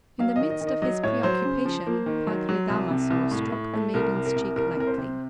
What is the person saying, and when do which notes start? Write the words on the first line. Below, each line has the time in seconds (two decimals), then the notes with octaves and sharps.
In the midst of his preoccupation Padre Damaso stroked the maiden's cheek lightly.
0.19 F#3 F5
0.36 D#3 D#5
0.50 D#5
0.61 D#3
0.67 D#5
0.82 F#3 D#5
1.03 A2 C#5
1.23 F#3 C5
1.45 C#3
1.65 F3
1.87 A#3
2.06 D#3
2.27 F#3
2.49 F#3
2.70 C2
2.90 C3
3.10 C2
3.31 A2
3.52 A2
3.74 A3
3.94 C2 A#4
4.15 C3
4.25 A#4
4.36 C2
4.56 C2 A#4
4.77 C3 A#4
4.87 C5
4.98 C3